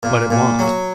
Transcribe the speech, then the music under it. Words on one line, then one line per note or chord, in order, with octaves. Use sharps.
But it want.
A#2
A#2
F#3